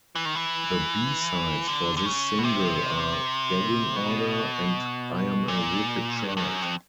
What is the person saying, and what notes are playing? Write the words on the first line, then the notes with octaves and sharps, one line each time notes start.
The B-sides for this single are "Gagging Order" and "I Am a Wicked Child".
E3
D#3
E3
D3
D3
C#3
B2
C3
B2
A#2
G2
G2
F#2
F2